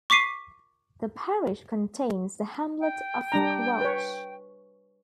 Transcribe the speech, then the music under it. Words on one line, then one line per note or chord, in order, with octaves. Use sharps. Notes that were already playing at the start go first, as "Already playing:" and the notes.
The parish contains the hamlet of Crouch.
C#6 D6 B6 C7 D#7
G5
G3 D4 A#5
B4 C#5